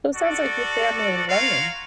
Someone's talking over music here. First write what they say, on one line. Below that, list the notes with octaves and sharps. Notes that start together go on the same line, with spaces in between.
So, it sounds like your family learned
F#4 A4 D5
F4 F#4 A#4 C#5 F5